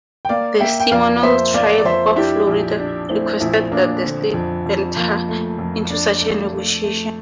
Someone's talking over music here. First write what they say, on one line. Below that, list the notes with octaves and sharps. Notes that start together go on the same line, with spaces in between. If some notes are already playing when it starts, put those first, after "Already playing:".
The Seminole Tribe of Florida requested that the state enter into such a negotiation.
G5
A#3 D5 F5
A#3 E5 G5
G5
F2 D5 F5
A#3 C5 E5
A#3 D5 F5
D5
F2 C5 E5
D4 E4 G4
A#1
D4
A3 C4 E4
A#1 C4 E4
A#1 A#3 D4
D3 C4
F2
F2
F2 A#3
A3
F2
D4
A3
A3
A3